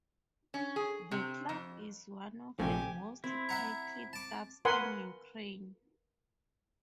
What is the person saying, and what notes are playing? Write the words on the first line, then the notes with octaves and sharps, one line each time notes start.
The club is one of the most titled clubs in Ukraine.
C#4
G#4
C3
F2
A#1 A2 C3 A3 G4 G#5
C4 E4
E5 F#5 A#5
A5 D6
A#4 B4 F#5 G#5 C6